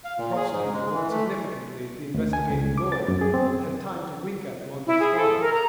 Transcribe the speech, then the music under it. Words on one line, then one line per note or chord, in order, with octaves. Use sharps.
The prosecutor looked significantly at the investigating lawyer, and had time to wink at him on the sly.
F5
A#2
G#4
G#2
G#3
E3
A3
D2
G#5
C#2
D6
A6
F#2
G#4
C4
E4
G#4
A4
A#4
A#5